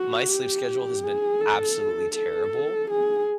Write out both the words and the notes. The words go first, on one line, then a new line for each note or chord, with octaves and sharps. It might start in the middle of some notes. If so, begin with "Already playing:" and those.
my sleep schedule has been absolutely terrible,
Already playing: F#4
G4
G#4
A4
A4
G#4